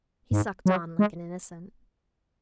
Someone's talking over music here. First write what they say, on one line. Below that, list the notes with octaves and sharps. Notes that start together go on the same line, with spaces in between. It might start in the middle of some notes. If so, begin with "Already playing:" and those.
He sucked on like an innocent.
G#2
F#3
G#3